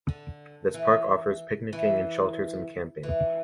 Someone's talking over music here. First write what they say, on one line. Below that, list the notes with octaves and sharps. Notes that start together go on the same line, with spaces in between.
This park offers picnicking in shelters and camping.
D3
E3
E3
E3